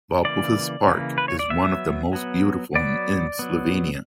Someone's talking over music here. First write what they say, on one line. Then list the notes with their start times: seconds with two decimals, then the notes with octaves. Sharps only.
Valpovo's park is one of the most beautiful in Slavonia.
0.25 C#3 E3 A#3 D5
0.87 C#3 E3 A#3
1.18 B4
1.28 C#5
1.39 D5
1.50 F#3 B3 E5
2.13 F#3 B3
2.75 F#3 B3 D5
3.39 F#3 B3